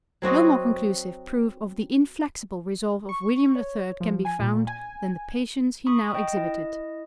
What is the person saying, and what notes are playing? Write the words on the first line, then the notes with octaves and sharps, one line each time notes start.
No more conclusive proof of the inflexible resolve of William III can be found than the patience he now exhibited.
F#3 C4 F#4 D#5
C#6
C#5
F3
G#5
A#2
G#5
B5 C#6 D#6
D#5 G5
E4 D#5